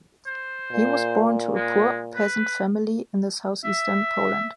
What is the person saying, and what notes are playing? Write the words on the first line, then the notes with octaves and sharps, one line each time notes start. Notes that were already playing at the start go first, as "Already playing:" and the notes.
He was born to a poor peasant family in the southeastern Poland.
C5
A#2
G#3
B4
E5